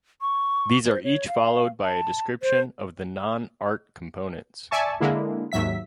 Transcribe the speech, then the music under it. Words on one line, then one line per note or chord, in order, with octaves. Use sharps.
These are each followed by a description of the non-art components.
C#6
C5
C#5
F5
A5
C5
D5 E5 G#5 A5 C#6
D3 G#3 A#3 E4
D#2 G#2 F#3 E5 B6